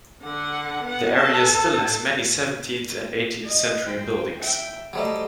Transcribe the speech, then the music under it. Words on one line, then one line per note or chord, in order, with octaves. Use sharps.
The area still has many seventeenth and eighteenth century buildings.
D3 F#5
B3 F#5
A4 A5
D#5
C5 G5
E5 G5
F#3 G3 A3 C5 D#5